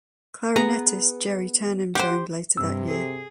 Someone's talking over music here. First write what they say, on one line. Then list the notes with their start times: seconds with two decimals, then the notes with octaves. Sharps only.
Clarinettist Gerry Turnham joined later that year.
0.56 B3 G#4 B4 A#5
1.95 G4 C5 F#5
2.57 G2 C3 E6
2.90 G#4 A4